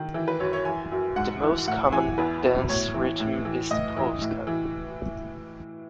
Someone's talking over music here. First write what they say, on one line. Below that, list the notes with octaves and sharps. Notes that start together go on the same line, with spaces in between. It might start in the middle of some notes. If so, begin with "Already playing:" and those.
The most common dance rhythm is the polska.
Already playing: D#3
E3
B4
F#2 C#5
C#5
E3 G#5
F#2
G#2 F#5
E3
A2 F#5
E3 G#5
E2 B4
B2
A2 C#5
E3
A2
E3
A2 D#5
E3
A2
E3